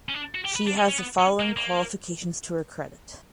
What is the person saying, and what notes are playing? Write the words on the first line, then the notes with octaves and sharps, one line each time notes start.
She has the following qualifications to her credit.
C#4
D4
F#4
G4
B4
D4
C#4
C#4
B3
C#4
A#3
A#3